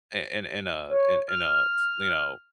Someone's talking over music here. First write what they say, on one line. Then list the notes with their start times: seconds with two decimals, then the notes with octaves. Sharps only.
i in in a in in a, you know,
0.89 C#5
1.28 F6